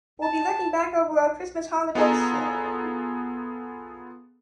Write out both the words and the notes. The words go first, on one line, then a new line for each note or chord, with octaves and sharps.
We'll be looking back over our Christmas holidays soon.
A5
B3 F4 G#4 A4 A#5